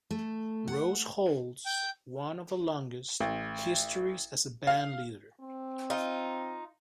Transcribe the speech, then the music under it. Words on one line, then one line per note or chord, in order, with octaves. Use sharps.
Rose holds one of the longest histories as a band leader.
A3
F#5
G5
A1
F5
C4
D#4 F4